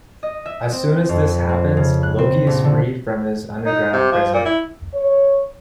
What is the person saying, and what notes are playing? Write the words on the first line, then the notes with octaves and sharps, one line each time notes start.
As soon as this happens, Loki is freed from his underground prison.
D#5
E5
C4
F2
C4
C#3
F#6
C4
A#1
D3
D#4
C3
F3
A#2
E4
C#5